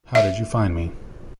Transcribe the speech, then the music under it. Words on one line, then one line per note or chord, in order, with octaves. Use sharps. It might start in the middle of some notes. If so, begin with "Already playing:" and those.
How did you find me?
E5